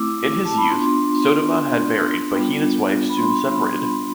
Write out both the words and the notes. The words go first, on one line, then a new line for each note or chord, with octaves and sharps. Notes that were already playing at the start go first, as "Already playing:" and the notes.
In his youth, Sodoma had married, but he and his wife soon separated.
Already playing: A3 C4 E4 D6 E6
A5
B5
B3 D4 F4 C6
G3 B3 D4 F4
B5
C6